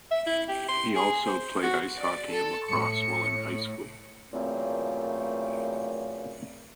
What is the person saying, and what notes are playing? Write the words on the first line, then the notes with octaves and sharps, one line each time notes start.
He also played ice hockey and lacrosse while in high school.
E5
E4
G4
C6
G#4
C5
F#4
D5
A4
A2 C#7
F#2 A#2 C#3 E3 A3 C4